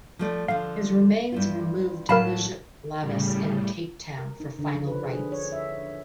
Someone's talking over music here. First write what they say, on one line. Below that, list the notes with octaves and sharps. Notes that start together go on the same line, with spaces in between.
His remains were moved to Bishop Lavis in Cape Town for final rites.
F3 A3 D5
D3 F3 F5
G2 E4 F4
A2 F#3 A#4 F5 A5 B5
A2 C#3 G3
A#4
D#4
D3
F3
B4
G#4
C#5
E5